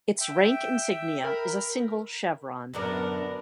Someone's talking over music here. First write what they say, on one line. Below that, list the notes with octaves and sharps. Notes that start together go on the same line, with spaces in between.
Its rank insignia is a single chevron.
E5 G5
A#4 B5
F#2 D3 B3 A#4 D5